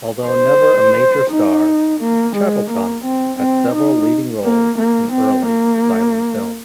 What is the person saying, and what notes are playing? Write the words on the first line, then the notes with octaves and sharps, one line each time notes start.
Although never a major star, Chatterton had several leading roles in early silent films.
C5
D#4
A#3
G#3
A#3
C4
C4
D#4
A#3
A#3
C4
A#3